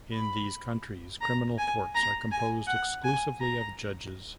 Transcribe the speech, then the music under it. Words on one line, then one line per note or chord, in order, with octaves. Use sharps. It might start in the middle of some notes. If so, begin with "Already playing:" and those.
In these countries, criminal courts are composed exclusively of judges.
B5
A#5
G#5
A#5
G#5
F#5
G#5
A#5